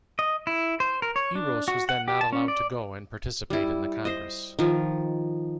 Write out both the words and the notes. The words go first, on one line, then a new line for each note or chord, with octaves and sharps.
Eros was then not allowed to go and participate in the congress.
D#5
E4
C5
A#4
C#5
D4
F#4
F#5
G4
A5
C#4
D5
G3 E4
C5 D#5
D#3 F3